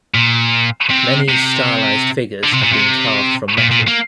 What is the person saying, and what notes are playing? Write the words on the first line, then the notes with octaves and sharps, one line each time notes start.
Many stylized figures have been carved from metal.
A#2
C3
C3
D3
C3
A#2
C3
A#2
A#2
A#3